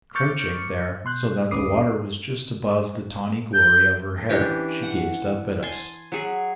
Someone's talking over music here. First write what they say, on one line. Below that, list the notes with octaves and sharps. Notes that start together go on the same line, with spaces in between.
Crouching there, so that the water was just above the tawny glory of her hair, she gazed up at us.
C#6 D6 F6 G6 A6 C#7
B2 C6 F#6 G6
D2 C#4 B4 D6 D#6 C7
G6
E3 C#4 D4 G4
F#5
G#5 A5 C6
F#3 G#4 B5